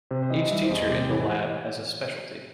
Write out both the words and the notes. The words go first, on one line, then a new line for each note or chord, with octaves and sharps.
Each teacher in the lab has a specialty.
C3 C5
C5
E3 D#5
G3 E5
C5
E2 D#5
C3 G4
E3